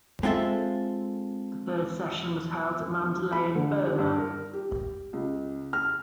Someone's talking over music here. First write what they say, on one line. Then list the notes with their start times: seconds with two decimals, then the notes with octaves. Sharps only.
The third session was held at Mandalay in Burma.
0.23 G#3 C4 F4 A4 E5
3.32 B5
3.55 D3
3.85 G4
3.98 G2
4.18 A#4
4.53 G4
5.13 C#2
5.73 F6